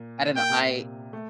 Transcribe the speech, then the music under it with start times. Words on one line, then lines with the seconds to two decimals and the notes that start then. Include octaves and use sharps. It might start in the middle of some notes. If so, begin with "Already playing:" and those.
I don't know, I
Already playing: A#2
0.36 A#2 G5
0.50 C3
0.64 A#2
1.13 A3